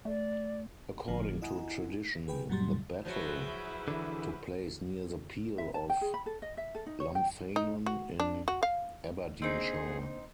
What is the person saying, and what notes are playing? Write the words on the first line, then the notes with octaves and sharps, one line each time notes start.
According to tradition, the battle took place near the Peel of Lumphanan in Aberdeenshire.
A3 D5
G1 A2 D3 F3
E4 D#5 F#5 G#5 A#5
G#4 B4 G5
F#2 A#2 F#3 G3 C6 A6
F3 F#3 E4 G#4 B4
D3 E3
E5
A5
G5
G#4
B5
A4
D#5
E5
A4
D#4
C#5
G5
D#4
F#4
D4
F#4
F5
A#3 C4 D4 D#4 G#4 C5 D#5